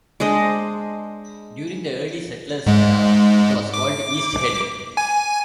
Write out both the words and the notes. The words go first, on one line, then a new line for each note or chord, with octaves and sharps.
During the early settlers era it was called East Head.
G#3 D4 C5 D#5
G#2 G#3
D6
G#5